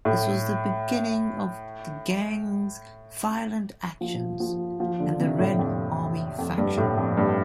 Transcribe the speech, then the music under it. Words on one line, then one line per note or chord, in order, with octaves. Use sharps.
This was the beginning of the gang's violent actions, and the Red Army Faction.
A2
F3
F3
F3
D3
C3
A2
F2
F2
G2
A2
F2
G2